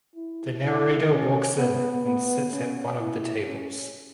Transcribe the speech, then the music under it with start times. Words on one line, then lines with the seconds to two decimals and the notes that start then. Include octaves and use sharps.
The narrator walks in and sits at one of the tables.
0.16 E4
0.63 E4
1.10 C#4
1.58 B3
2.05 B3
2.53 C#4
3.00 E4
3.47 C#4